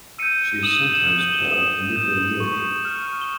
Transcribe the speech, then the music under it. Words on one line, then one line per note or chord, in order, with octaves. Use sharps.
She is sometimes called "Nickel Neelie".
E6 G6 C#7 D#7
D#6 E7 F#7
E7 F#7
G6
F#7
G7
E7 F#7
D#6
G6
C#6
F6
G7